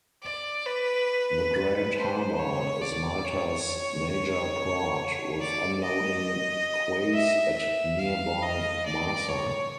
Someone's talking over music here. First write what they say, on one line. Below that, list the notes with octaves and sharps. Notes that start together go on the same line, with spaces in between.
The Grand Harbour is Malta's major port, with unloading quays at nearby Marsa.
D5
B4
C5
C#5
D5
C#5
D5
D#5
E5
E5
F5
D#5
D5
C#5